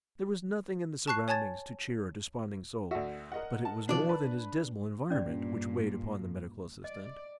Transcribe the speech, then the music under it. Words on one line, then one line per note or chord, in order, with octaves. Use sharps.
There was nothing in the surroundings to cheer a desponding soul, but it was more than his dismal environment which weighed upon the medical assistant.
A5 C#6 F#6 C7
C#5 G#5 A5 G#6 A6
D2 F#4 E5
A#4 D#5 F#5
A5
B2 E3 F3 D4 D5
B4
G2 A#2 C#4 D5
D5 D#5